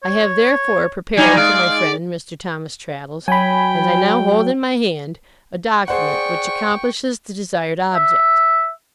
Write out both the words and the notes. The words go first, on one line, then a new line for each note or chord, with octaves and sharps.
I have, therefore, prepared for my friend Mr. Thomas Traddles, and I now hold in my hand, a document, which accomplishes the desired object.
C#5
F#3 G3 D#4 G#5
G#3 D5 F5
F#3 G5 G#5 B5
G#4 C5 D5 F#5 G5 C#6
E5